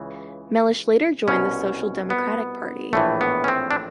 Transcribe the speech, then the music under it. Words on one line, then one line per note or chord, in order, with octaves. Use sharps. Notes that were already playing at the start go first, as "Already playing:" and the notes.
Mellish later joined the Social Democratic Party.
Already playing: C#2 C#3 E3
C2 B2 C#4
B3
A#1 A2 E3 A3
B3
C#4
C4
D4